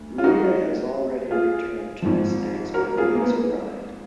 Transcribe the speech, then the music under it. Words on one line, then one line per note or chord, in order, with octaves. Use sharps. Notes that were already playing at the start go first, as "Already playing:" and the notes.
Leah has already returned to the States but needs a ride.
Already playing: D2
F4
D#4 F#4
F4 G#4
G#1 G#2 F3
F#4 A#4
F4 G#4
A#3
B3